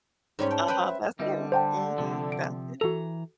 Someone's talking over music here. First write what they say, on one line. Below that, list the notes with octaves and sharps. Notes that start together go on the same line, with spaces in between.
Uh-huh, that's him. Mhm. That's him.
G#2 G3 C#4 C#5
G5 A5
B4 C5 G5
E5
D3 G3 E4 B4 D#5
G4 C5 F#5 G5 A5
C3 F3
D7
E3 F#4 A4 A#5